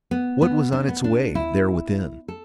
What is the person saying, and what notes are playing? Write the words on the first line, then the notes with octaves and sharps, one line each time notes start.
What was on its way there within?
B3
B3
D4
B3
D4
E4
A4